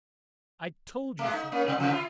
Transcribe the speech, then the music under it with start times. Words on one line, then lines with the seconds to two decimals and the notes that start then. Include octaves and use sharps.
I told you so.
1.19 G#3 A3
1.33 D#4
1.52 A#3 C#4
1.65 G#2 C3
1.78 G#2 C3 F3
1.92 E4 F4